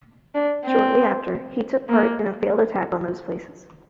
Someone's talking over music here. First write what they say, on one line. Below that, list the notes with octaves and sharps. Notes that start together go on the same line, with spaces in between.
Shortly after, he took part in a failed attack on those places.
D4
C4
A#3